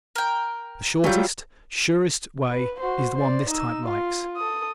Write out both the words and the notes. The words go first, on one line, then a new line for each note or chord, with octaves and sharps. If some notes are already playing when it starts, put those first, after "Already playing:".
The shortest, surest way is the one this type likes.
A#4 G5
F#3 G3 A3 F4 G6
B4
F#4 C5
C5 D5
D#4 E6
F4
A4 D#6